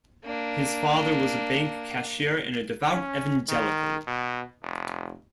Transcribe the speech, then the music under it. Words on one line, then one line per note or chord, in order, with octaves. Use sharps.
His father was a bank cashier and a devout Evangelical.
A#3 D4
C#4
D#3
B2
F1